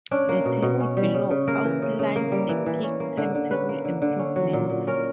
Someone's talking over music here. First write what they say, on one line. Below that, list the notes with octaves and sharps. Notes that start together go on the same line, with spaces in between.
The table below outlines the peak timetable improvements.
C#4 D4
A#3
B2
B2
C#4
G3
C#3
C#3
A#3 A#4
E3
C#3
C#3
A#3
G3
E3
E3
C#4
A#3
D3
D3
C#4 B4
A#3
D3
D3
C#4
F#3
A#2
A#2
C#4 A#4